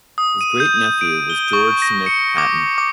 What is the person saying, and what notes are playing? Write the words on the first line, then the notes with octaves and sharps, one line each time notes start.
His great-nephew was George Smith Patton.
D#6
D#7
G6
D7
G7
C#6
A#6
C#7
D6
D6